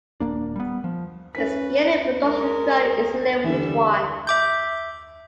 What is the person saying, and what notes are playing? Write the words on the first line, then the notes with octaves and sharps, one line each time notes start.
Its yearly production run is a limited one.
D#1 F2 A#3 D4
G3 B3
F3
C#4 B4 B6
G#3 A#4
D3 E3 G3 E5
E5 D6 G6